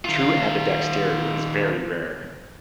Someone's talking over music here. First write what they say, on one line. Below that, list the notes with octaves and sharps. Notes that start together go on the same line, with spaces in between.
True ambidexterity is very rare.
D#3 F4